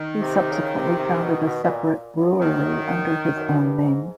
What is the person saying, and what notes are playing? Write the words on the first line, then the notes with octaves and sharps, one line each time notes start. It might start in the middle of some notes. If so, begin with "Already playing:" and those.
He subsequently founded a separate brewery under his own name.
Already playing: D#3
C3
C#3
C3
C3
B2
B2
B2
A#2
F#2
D#3
F#2
F#2
G2
G#2